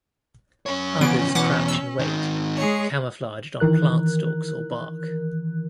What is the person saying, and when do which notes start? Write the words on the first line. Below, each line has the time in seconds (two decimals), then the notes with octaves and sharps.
Others crouch in wait, camouflaged on plant stalks or bark.
0.66 F#2 C#4 C#5
1.01 C#3 E3 F3 B3 D7
1.35 E2 B2 E3 F#5 D6
1.68 E6
1.99 G#2 D#3
2.57 G#3 G#4 C#5
3.60 D#3 E3 A#4 F#6